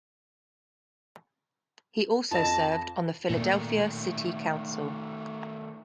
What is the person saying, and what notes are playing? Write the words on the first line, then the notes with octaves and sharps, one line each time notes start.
He also served on the Philadelphia City Council.
F2 D#5 A5 A#6
A#2 D#3 A3